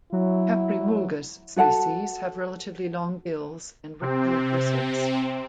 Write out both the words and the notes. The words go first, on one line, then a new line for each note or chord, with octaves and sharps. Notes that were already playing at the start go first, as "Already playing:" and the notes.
"Caprimulgus" species have relatively long bills and rictal bristles.
F#3 E4
F#4 A4 F#5 A5
C3 C4